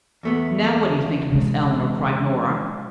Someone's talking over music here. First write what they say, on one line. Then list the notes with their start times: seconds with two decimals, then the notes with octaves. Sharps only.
"Now, what do you think of Miss Eleanor?" cried Nora.
0.23 E2 A3 B3
1.30 C3 G#3